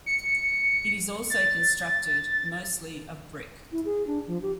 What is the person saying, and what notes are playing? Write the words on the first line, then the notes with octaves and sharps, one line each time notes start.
It is also constructed mostly of brick.
C#7
A6
E4
G#4
D4
F3
G4